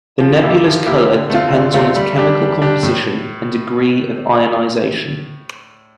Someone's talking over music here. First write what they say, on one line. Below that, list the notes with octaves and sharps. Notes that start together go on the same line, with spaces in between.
The nebula's color depends on its chemical composition and degree of ionization.
F3
A#3 E4 G4
F3
A#3 E4 G4
D3
A3 C4 F4
D3
A3 C4 F4
G3
D4 G4
G3
D4 G4
A2